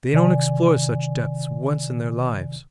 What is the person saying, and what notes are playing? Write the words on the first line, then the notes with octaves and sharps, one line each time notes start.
They don't explore such depths once in their lives.
C3 D#3 D5 G#5